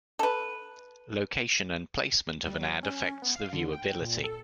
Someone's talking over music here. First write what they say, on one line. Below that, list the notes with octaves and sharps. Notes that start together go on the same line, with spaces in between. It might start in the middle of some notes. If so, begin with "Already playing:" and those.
Location and placement of an ad affects the viewabilty.
A4 B4
G3
F#3
C#4
B3
F5
D3
G5
A#2
A4